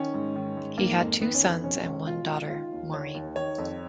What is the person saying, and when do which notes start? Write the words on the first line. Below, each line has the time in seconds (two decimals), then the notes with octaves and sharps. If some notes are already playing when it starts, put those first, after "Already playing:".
He had two sons and one daughter, Maureen.
Already playing: D#3 C#4
0.14 G#2
0.36 D#3
0.57 G#2
0.78 D#3 A#3
1.00 F2
1.21 D#3 B3
1.34 C#4
1.43 F2 B3
1.64 B2 C#4
1.85 C#2
2.07 B2 F4
2.28 C#2
2.50 D#3 F4
2.72 D#2
2.94 D#3 C#5
3.14 D#2
3.36 D#3 C#5
3.58 F2